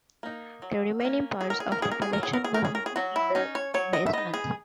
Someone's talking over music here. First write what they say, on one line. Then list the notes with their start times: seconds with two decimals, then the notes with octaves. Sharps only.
The remaining parts of the collection were hidden in the basement.
0.23 A#3 D#4
0.62 F#3
1.01 A#3 C#4
1.41 F#3 G#4
1.50 A#4
1.60 G#4
1.72 A#4
1.79 A#3 C#4 G#4
1.92 A#4
2.02 G#4
2.13 A#4
2.18 F#3 G#4
2.33 A#4
2.44 G#4
2.54 C#4 A#4
2.65 G#4
2.75 A#4
2.86 G#4
2.96 F#3 F#4
3.16 E4
3.35 C#4 D#4
3.55 C#5
3.74 F#3 C#5
3.93 D#5
4.06 E5
4.13 B3 D#4 D#5
4.34 G#4